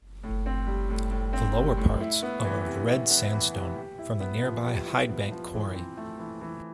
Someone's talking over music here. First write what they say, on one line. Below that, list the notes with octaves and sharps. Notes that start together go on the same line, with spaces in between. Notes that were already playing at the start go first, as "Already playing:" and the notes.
The lower parts are of red sandstone from the nearby Hyde Bank quarry.
A2
C4
G3
A2
A2
C4
G3
A2
E4
B3
E3
C3
E4
B3
E3
C3
G4
E4
B3
F3
G4
E4
B3
F3
E3
C4
A3
E3
E3